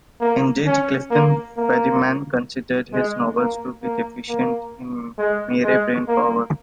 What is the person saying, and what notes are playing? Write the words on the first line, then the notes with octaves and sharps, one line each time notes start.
Indeed, Clifton Fadiman considered his novels to be deficient in mere brain-power.
A#3
C#4
A#3
A#3
G#3
A#3
A#3
A#3
G#3
G#3
A#3